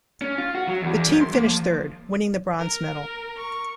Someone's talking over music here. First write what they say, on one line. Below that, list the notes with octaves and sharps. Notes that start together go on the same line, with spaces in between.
The team finished third, winning the bronze medal.
C#4
F4
F#4
F#3
E2
E2
F#2
C6
A#3
F3
A#4
C#6